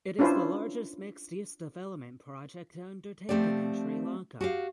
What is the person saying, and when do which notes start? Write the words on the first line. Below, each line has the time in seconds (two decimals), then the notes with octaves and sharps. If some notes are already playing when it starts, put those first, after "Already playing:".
It is the largest mixed use development project undertaken in Sri Lanka.
0.19 C#4 D4 E4 F4 B4 C5
3.29 F3 F#3 A3 C4 G4 D5
4.41 F#4 G4 F5